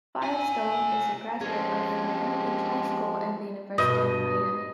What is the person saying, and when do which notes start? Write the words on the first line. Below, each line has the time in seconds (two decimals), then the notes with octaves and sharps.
Firestone is a graduate of Miami Beach High School and the University of Miami.
0.22 F4 G#5
1.41 F3 G#3 C4 C#4 G4 G#4
3.78 G2 B2 D#5